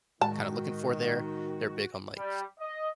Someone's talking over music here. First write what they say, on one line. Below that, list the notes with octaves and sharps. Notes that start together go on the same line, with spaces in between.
kinda looking for there. They're big on, like,
A2 D#3 G#3 F#4 A5
G3
D#5